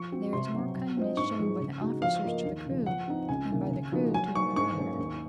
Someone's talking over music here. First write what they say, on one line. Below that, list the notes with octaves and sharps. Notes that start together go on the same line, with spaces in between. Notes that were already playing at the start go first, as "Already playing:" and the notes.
There is more kindness shown by the officers to the crew, and by the crew to one another.
Already playing: F3 C#6
C4 F#4
C3 C6
F#3 C4
F#3
C4 F4 C5 D#5
G#2 C#6
F3 G#3 D#4 G#4
C#3
G#3 D#4 F#4
F3 F5
A#3 F4 A#4 D#5
D#2
C#3 F3
F3 F#5
C4 D#4
C#2 G#5
C3 D#3 A#3
C#3
F3 A#3 D#4 F#4
F#3 G#5
A#3 D#4 C#6
G#2 C#6
F#3 A#3 C#4
D#2